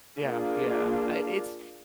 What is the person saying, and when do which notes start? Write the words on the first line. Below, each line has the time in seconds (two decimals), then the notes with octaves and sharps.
Yeah yeah, I it's
0.18 A#3 D4 F4 G#4